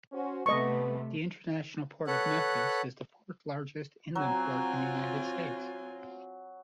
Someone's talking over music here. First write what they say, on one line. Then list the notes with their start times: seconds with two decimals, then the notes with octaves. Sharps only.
The International Port of Memphis is the fourth-largest inland port in the United States.
0.12 C#4 F#4 C5
0.46 C3 A3 B3 B4 D#5 C#6
2.07 A4 B4 C#5 F#5 F#6
4.15 F#3 C4 F4 F#4 G#5